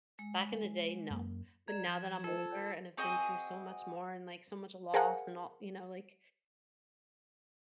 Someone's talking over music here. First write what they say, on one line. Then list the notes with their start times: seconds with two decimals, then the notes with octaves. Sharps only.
back in the day, no, but now that I'm older, and have been through so much more and, like, so much loss and all you know, like,
0.19 G#3
1.10 F#2 A#3
1.68 D5 A#5 G#6 E7
1.88 F3
2.24 F4 A4 C5
2.97 C4 F#4 G#4 D#5
4.94 G#4 A#4 C5 F5 F#5 G#5